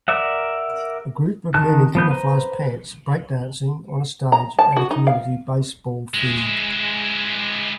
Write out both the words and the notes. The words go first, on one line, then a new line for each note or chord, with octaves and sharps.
A group of men in camouflage pants, breakdancing on a stage at a community baseball field.
A#4 D5 E5 F#5
D#3 A5 F#6
F3 B3 G6
B4 C5 A#5
A#5
A5
F#4
D#4
F5
G#3 E4